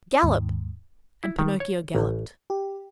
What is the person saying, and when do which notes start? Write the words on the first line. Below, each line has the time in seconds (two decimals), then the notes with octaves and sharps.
"Gallop!" and Pinocchio galloped.
0.23 D#2 G#2
1.24 E4
1.39 D#3
1.60 C#5
1.95 A1
2.50 G4